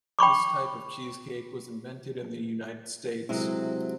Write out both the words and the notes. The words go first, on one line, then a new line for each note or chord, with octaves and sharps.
This type of cheesecake was invented in the United States.
G5 B5 C#6 D6
C3 F#3 G#3 E4